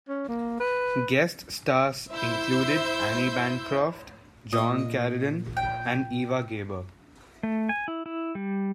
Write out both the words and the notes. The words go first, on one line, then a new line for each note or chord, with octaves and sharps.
Guest stars included Anne Bancroft, John Carradine, and Eva Gabor.
C#4
A#3
B4
E4 C5 E5 E6 G6
A#2 D#5
G5
A3
G#5
E4
E4
G3